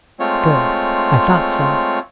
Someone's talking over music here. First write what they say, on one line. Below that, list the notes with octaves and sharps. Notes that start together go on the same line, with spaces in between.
Good, I thought so.
G#3 A3 C4 F4 C#5